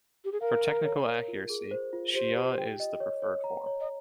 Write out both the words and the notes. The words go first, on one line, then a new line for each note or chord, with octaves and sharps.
For technical accuracy Shi'ah is the preferred form.
G4
G#4
A#4 F5
A#5
C#5
A#4
F4
G#4
C5
F4
G4 C5
G4
G5
D#5
C#5
C#5
A#5
C#5
D#5